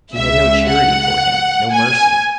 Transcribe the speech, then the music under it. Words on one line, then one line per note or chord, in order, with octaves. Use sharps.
She had no charity for him, no mercy.
C#2 C#3 G#3 E5
F#5
G#5